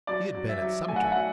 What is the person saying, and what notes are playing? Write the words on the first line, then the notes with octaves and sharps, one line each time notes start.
He had been at Sumter.
F#3 D5
F#3
E5
F#3
A3 G#5
F#5
E5
F#3 F#5